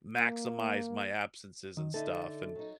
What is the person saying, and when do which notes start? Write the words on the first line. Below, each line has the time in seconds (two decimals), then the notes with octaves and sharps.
maximize my absences and stuff, and
0.17 A#3
1.77 D#3
1.94 D3 D#4 A4 E5
2.55 F#3 D#4